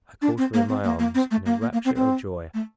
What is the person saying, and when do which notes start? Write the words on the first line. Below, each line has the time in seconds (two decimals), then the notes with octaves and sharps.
I caught her in my arms in a rapture of joy.
0.22 D4
0.38 C4
0.54 A#3
0.68 C4
0.84 A#3
0.99 A#3
1.14 C4
1.31 A3
1.46 A#3
1.61 A#3
1.73 A#3
1.85 C4
1.96 C4
2.54 A3